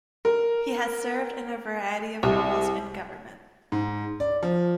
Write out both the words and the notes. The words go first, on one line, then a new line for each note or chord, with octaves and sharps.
He has served in a variety of roles in government.
A#4
C2
G#2
D5
F3